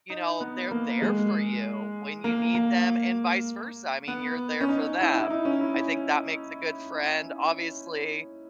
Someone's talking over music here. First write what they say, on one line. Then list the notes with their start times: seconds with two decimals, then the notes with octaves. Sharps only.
you know, they're there for you when you need them and vice versa. I mean, you're there for them. I think that makes a good friend. Obviously,
0.10 D#4
0.41 B3
0.71 A#3
1.02 G#3
2.24 A#3
2.55 A#3
4.08 B3
4.61 C#4
4.69 D#4
5.00 E4
5.20 E4
5.30 D#4
5.45 C#4
5.60 E4